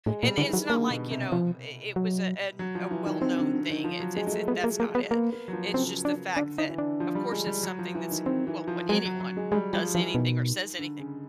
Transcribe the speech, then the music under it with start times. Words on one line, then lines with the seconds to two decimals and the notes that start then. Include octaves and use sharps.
And it's not like, you know, it it was a an a well-known thing. It's it's it that's not it. It's just the fact that, of course, it's something that's well, when anyone does anything or says anything
0.06 A2 G#3
0.23 A#2
0.28 G3
0.38 D3 E3
0.49 D#3 F#3
0.70 D3 A#3
0.90 B2
1.11 C3
1.32 F3
1.96 F#3
2.59 F#3
2.75 F3
2.91 E3
3.06 D#3
3.22 D#3 C4
3.38 D3
3.53 D3
3.70 D#3
3.84 F3
4.00 F#3
4.16 G#3
4.27 G#3
4.32 A3
4.48 B3
4.64 A#3
4.80 A#3
4.95 B3
5.11 A#3 B3
5.32 A#3
5.48 F#3
5.53 F3
5.74 C#3 C4
6.05 D4
6.37 D3 D4
6.58 D#4
6.69 E3
6.78 D4
7.00 F3
7.15 G3
7.32 G#3
7.47 G3
7.63 F#3
7.79 F3
7.95 E3
8.11 D#3
8.26 D#3 C4
8.47 E3
8.67 F3
8.89 F#3 G#3
9.05 F#3
9.20 F#3
9.37 G#3
9.52 G3 G#3
9.73 F3 G3
9.95 E3 F3
10.15 B2 D#3
10.79 D3
10.99 C#3